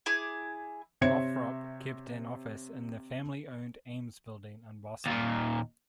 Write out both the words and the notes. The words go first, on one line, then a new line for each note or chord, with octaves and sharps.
Lothrop kept an office in the family-owned Ames Building in Boston.
E4 G#4 D6
C3 C5 C#5 E5 G#6 C#7
D#2 A#2